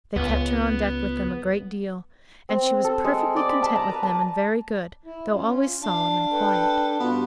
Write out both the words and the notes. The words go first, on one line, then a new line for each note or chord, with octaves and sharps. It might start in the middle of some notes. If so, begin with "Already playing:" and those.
They kept her on deck with them a great deal, and she was perfectly content with them and very good, though always solemn and quiet.
C#2 B3
C4
A4
G#3
D5
B5
A5
A#5
B4
A5
E4
C#4 F4
D4 F5
A4 B4 G5
G2 B3 F4 F#4